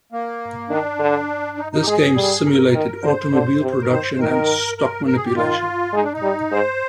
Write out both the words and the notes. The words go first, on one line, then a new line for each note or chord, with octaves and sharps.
This game simulated automobile production and stock manipulation.
A#3
D#3 D4
D3
D#4
D#4
G4
G#3 G#4
G3
A#4
D#3
D3 C5
D3
C3
C5
A#4
D#3 C5
C5
D#3 A#4
A#4
A#4
G#4
G4
D#3 F4
G#3 D#4
D4
D#4
G3
G#2 C5